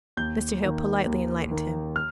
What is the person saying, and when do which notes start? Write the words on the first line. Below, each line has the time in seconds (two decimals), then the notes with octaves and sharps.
Mr. Hale politely enlightened him.
0.17 D#2 G6
0.62 D#3 A#3
1.06 D#2
1.51 D#3 A#3
1.96 F6